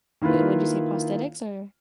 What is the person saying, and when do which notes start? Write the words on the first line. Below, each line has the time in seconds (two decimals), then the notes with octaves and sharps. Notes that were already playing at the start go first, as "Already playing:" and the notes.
what would you say prosthetics, or?
0.22 D#3 A#3 E4 F4 B4